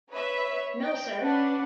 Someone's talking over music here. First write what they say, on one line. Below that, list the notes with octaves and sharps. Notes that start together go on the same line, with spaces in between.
No sir!
B4 C#5 E5
G5
C#4 D4 B4 F#5